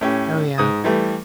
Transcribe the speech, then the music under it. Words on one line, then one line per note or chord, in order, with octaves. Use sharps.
Oh, yeah.
A2 C#4 G4
G#2 D#6
E3 G3 A3